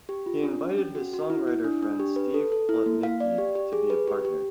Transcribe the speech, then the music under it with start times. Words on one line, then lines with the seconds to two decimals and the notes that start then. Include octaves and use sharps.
He invited his songwriter friend Steve Plotnicki to be a partner.
0.09 G4
0.26 F4
0.43 D4
0.61 C#4
0.78 C#4
0.95 F#4
1.13 F#4
1.30 E4
1.47 E4
1.64 D4
1.82 D4
1.99 G4
2.16 B4
2.34 A4
2.52 A4
2.69 E4
2.86 A#3
3.03 F5
3.20 D5
3.38 G4
3.55 G4
3.73 G#4
3.90 B4
4.08 G4
4.25 G4